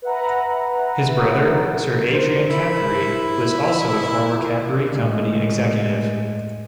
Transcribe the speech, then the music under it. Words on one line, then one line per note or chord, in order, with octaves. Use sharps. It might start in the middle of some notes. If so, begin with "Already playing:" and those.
His brother, Sir Adrian Cadbury, was also a former Cadbury company executive.
B4 E5 F#5 A#5
A#4 C5
E4
A2 G#3